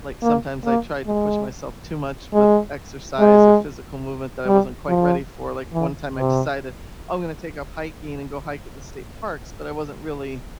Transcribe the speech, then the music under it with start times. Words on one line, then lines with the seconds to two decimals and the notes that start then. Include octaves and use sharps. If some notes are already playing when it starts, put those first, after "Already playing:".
like, sometimes I tried to push myself too much with exercise or physical movement that I wasn't quite ready for, like, one time I decided, "Oh, I'm gonna take up hiking and go hike at the state parks," but I wasn't really
0.23 A#3
0.65 A#3
1.07 G#3
2.33 G#3
3.19 G#3
4.46 G3
4.88 F3
5.73 E3
6.16 C3